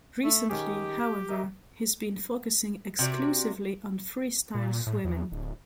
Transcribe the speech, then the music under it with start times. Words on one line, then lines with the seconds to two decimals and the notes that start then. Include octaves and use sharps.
Recently, however, he's been focusing exclusively on freestyle swimming.
0.24 A3
0.49 D#3 C#4 G4 G#4
1.29 A#4 D#5 E5
2.99 C3 F#4 D5
4.55 A#2
4.87 A2
5.05 E2
5.32 D1